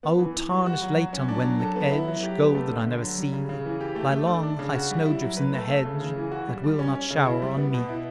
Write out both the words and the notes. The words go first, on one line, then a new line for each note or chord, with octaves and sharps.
Oh tarnish late on Wenlock Edge, Gold that I never see; Lie long, high snowdrifts in the hedge That will not shower on me.
B3
E3
E3
G3
F#4
F#3
F#3
C#4
D4
F#3
A4
B3
E4
F#3
G4
B3
A3
D3
D3
F#3
G3
C#3
C#3
E3
G4
A3
A3
D4
D4
C#3
F#4
G3
E4
F#3
B4
A3
A3
C#3
C#3
E3
F#4
G3
G3
C#4
C#4
C#3
E4
G3
B3
B2
E4